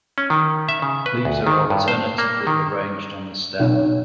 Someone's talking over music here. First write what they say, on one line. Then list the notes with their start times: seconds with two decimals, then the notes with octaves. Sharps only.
Leaves are alternately arranged on the stem.
0.18 C#4
0.30 D#3
0.69 E5
0.82 C#3
1.06 B4
1.25 D2
1.47 D#3
1.70 G2
1.88 C5
2.18 A#3
2.47 D#3
3.59 B1